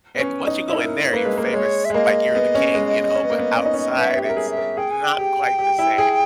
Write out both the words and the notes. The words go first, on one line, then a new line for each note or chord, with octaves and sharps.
And once you go in there, you're famous like you're the king, you know? But outside, it's not quite the same.
B3
C#4
D#4
E4
D#4 A#4
C#5
A#3 B4
G#3
A#3
B4
G#3 C#5
E5
G#3
A#3 D#5
B3
C#4
G#3
C#4
B3
A#3
B3
C#4
D#4
C#4
B3 E5
G4
E5
A#4
G#4
E5
A#4
G#4 G5
G#5
G5
G4
G4
E4
G#4